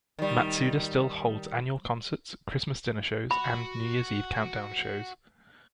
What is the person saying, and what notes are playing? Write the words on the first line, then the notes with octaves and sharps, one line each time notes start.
Matsuda still holds annual concerts, Christmas dinner shows and New Year's Eve Countdown shows.
D#3 G3
F#4 B5